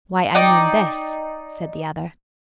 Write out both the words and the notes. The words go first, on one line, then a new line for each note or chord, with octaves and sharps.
"Why, I mean this," said the other.
D#4 D5 D#5 G5